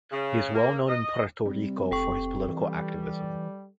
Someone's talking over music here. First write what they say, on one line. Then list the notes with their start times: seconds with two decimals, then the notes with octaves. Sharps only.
He is well known in Puerto Rico for his political activism.
0.11 C#3
0.54 A#3
0.87 D#5
1.46 C3 G3
1.91 F1 A4 G5 C#6
2.48 E3 G3